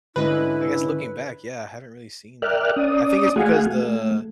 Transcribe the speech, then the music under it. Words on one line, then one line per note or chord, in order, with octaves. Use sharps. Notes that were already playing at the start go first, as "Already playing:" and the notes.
I guess looking back, yeah, I haven't really seen that. I think it's because the
G#2 D3 C#4 E4 F#4 B4 D#5
A#4 D5 E5 G5 F6 F#6
C#4 D5 D#6
A3 F#4 G#4 F5 F#5 G#5
A3